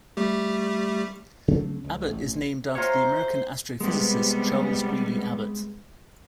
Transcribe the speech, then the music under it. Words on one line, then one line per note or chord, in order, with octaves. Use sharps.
Abbot is named after the American astrophysicist Charles Greeley Abbot.
G3 A3 G4
C#3 F#3 A3 C4
C#2
A1
F4 C5 C#5 E5 G5 A#5
C3 G3 G#3 B3